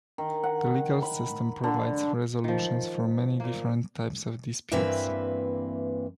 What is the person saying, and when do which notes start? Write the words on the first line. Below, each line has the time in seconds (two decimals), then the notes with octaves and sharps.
The legal system provides resolutions for many different types of disputes.
0.18 D#3
0.43 F#5
1.02 B5
1.64 D3
2.44 D#3 F3
3.40 A#2 A#3
4.72 G2 E3 A#3 C4 B4 E5